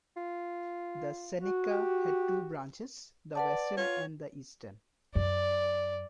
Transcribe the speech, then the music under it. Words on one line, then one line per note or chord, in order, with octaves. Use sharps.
The Seneca had two branches; the western and the eastern.
F4
F#4
G4
B4 D5 F#5 A5
F4 C#5
F#2 D5